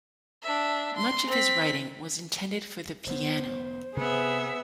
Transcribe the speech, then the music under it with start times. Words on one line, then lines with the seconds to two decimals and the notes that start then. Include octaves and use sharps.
Much of his writing was intended for the piano.
0.43 D4 E5
0.97 C6
1.27 C4 B6
3.06 F1 C3 B3 C5
3.97 C3 B3 G#4 E5